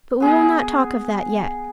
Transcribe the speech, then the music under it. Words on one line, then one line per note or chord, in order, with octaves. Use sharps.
But we will not talk of that yet.
B3 G#4